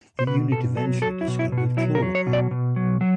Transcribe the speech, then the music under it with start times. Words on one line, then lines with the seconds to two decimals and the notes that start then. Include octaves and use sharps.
The unit eventually discovered chloroquine.
0.19 C5
0.27 B2 B4
0.52 B2 A4
0.77 F#3 A4
1.02 F#3 A4
1.21 E4
1.28 B2
1.39 E4
1.52 B2
1.58 F#4
1.77 F#3 E4
1.95 A#4
2.02 F#3
2.15 C#5
2.27 B2
2.33 D5
2.51 B2
2.76 F#3
3.01 F#3